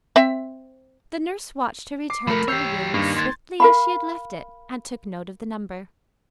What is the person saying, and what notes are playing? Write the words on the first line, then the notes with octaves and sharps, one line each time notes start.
The nurse watched her return to her room as swiftly as she had left it, and took note of the number.
C4 E5
D6 C7
F3 A3 A#4 B5
G4 C#5 E6 G6 C7
G2 A#3 D#4
C6 G#6 A6
A#4 F5 B5